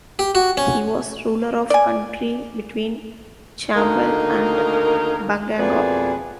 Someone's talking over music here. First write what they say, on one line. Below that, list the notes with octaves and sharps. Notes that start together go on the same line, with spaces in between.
He was ruler of country between Chambal and Banganga.
G4
F#4
C#4
D5 G#5
D2 D#3 A#3 D#4 A#4
F2 B2 A#3 G#4 B4 D5